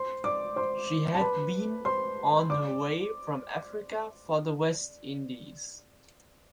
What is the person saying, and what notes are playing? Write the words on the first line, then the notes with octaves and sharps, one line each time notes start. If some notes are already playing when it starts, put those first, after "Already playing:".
She had been on her way from Africa for the West Indies.
Already playing: C5 C6
D5 D6
C5 C6
A5
B4 B5
C5 C6
D5 D6